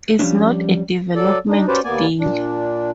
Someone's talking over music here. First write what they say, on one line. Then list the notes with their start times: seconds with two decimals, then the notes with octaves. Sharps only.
It's not a development deal.
0.19 F3 G3 A3 C#4 D4
1.16 F#3 A4 D5
1.49 D4 D#4
1.68 C#4 F#4 G4 B4 C5 D5
1.84 D#2 A#3 B3 D5 G#5
2.20 A#2 D4